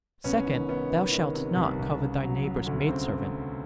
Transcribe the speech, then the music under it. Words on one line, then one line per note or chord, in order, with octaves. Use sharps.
Second, thou shalt not covet thy neighbor's maid-servant.
C2 B3 C#4
D#3
D#3 B3 C#4
D#3
D#3
C3
C2
C2
C#3
F#3
F#3
D2
C#3 C4